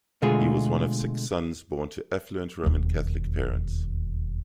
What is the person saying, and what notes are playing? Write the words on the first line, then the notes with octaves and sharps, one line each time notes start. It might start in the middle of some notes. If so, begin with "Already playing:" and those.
He was one of six sons born to affluent Roman Catholic parents.
B2 D3 G#3 A3 F4 G#4
E1 D#2